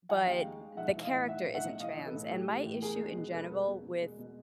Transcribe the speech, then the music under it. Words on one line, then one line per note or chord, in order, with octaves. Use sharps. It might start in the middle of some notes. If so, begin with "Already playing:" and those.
but the character isn't trans, and my issue in general with,
F3 F#5 G#5
D#2 F5 G5
G#3
G#3
B1 E5 F#5
E3
D#5 F5
A2
B1 E5 F#5
A2
E5 F#5
B1
E3 D#5 F5
B1
A4 B4
A2
A2 G4 A4
E3
A2
E2 G#4 A#4
G#3
B2
E1 A4 B4
E1
B2
E1
G#3
B2